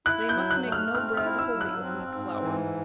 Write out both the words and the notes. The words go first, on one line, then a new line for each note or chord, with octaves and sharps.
They must make no bread wholly of wheat flour.
E4 F#6
G6
F#3
F#6
A3
F6
C4 F6
F6
E4
E6
F#3
F#6
C4
G#2
E3